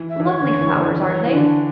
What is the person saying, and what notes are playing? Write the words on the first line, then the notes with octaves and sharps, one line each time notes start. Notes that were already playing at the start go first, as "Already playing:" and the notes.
Lovely flowers, aren't they?
Already playing: E3
E5
E3
C#5
E3
D3
E3
E3
E3 C#5
E3
D3 D4